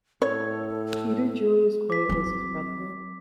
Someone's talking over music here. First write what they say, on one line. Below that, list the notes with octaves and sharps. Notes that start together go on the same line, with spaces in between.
Peter Julius Coyet was his brother.
A2 A4 C#5
D6 B6
F#3 C4